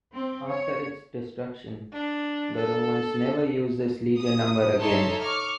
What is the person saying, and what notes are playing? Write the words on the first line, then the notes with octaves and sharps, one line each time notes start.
After its destruction, the Romans never used this legion number again.
C4
C#5
D4
A4
D#6
D#4 A4 C#5 E5 A5 C6
C#6 D6 F6